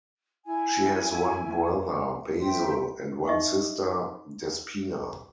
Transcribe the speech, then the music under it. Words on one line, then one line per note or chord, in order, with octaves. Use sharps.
She has one brother, Basil, and one sister, Despina.
E4 G#5
C5 E5 G5 C6
D#4 D#5 E5 C#6